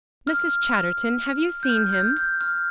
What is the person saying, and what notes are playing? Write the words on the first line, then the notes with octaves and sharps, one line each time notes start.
"Mrs. Chatterton, have you seen him?"
F6
G6
F6
G6
G6
F6